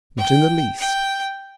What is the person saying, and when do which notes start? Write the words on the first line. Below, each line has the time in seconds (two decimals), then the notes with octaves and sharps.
"Not in the least."
0.18 G5
0.79 G5